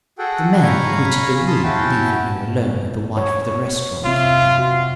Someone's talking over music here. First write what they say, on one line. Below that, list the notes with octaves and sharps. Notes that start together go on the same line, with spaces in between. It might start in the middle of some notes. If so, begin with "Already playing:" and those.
The men quitted the room, leaving her alone with the wife of the restaurant keeper.
F#4 G#4 A4 F#5 G5
C#5 F5 G#5 A#5 B5 C#6
F5 A5 B5 C6 D#6 F6
C#4 E4 F#4 G5 A5
C#5
C3 C4 F4 E5
F#4